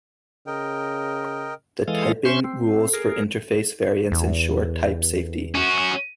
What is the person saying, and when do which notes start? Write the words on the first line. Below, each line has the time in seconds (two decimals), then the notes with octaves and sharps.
The typing rules for interface variance ensure type safety.
0.47 C#3 A#4 D#5 G5
1.88 E3 G#3 A4 F5 D#6
2.25 C#4 C5 E5 C6 C#6
2.44 C4
2.93 G#4 A#4
4.11 E2
5.55 C#4 F#4